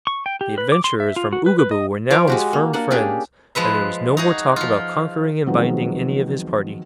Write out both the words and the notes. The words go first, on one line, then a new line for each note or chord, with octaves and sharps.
The adventurers from Oogaboo were now his firm friends, and there was no more talk about conquering and binding any of his party.
C#6
G5
G4
B4
D6
C6
E5
F4
F#4
B4
B4
D#5
F3 F4 C#5 D6
G#3 F#4 G4
A#3
A#3 D4 F#5
C#4 D4 G4 G#4
F3 G#3 B4 E5
D#4 F#4 G#4
F3 F4
D#3 F3 F#3 G#3 B3 C4